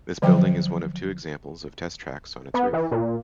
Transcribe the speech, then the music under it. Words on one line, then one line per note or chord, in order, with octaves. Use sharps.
This building is one of two examples of test tracks on its roof.
D3 F3 F#3 C5 G5
B3
E3
A#2